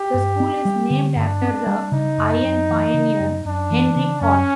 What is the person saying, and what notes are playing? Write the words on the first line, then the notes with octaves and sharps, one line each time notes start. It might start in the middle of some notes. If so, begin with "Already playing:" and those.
The school is named after the iron pioneer, Henry Cort.
Already playing: G4
G2
C4
G3
D3
G2 D4
C4
G3
C#3 D#4
F#2
F#2
E3
C#3
F#2
F#2 D4
E3
C#3
F#2 C#4